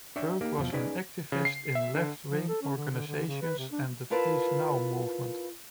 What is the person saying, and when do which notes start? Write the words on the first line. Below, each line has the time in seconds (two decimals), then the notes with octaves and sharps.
Burg was an activist in left-wing organizations and the Peace Now movement.
0.16 D4 C#5 E5 G5
0.41 A#3 D#4 G4
0.58 E2 B2 F3
0.72 C#4 D#4 G#4 B4 D5 G#5
1.32 C#3
1.45 C7
1.75 E5
1.95 D3
2.30 F3
2.48 A4
2.62 C#4
2.76 D3
2.91 D3
3.08 D3
3.27 C#3
3.42 B4
3.58 C3
3.72 D4
4.10 E4 F4 A#4 B4 A5